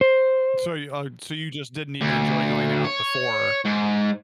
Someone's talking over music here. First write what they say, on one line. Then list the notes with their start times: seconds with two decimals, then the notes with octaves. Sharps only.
So you, uh, so you just didn't even enjoy going out before
0.01 C5
2.01 D2
2.85 C#5
3.65 G#2